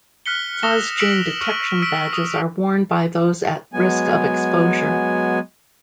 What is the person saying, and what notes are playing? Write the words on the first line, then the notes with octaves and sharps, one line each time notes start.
Phosgene detection badges are worn by those at risk of exposure.
F6 F#6 B6 C#7 G7
D#6 E6 A#6 E7 G7
D#6 E6 B6 D7 E7 F#7
C#6 F6
E6 B6 D7
D#6
F#3 G#3 B3 G#5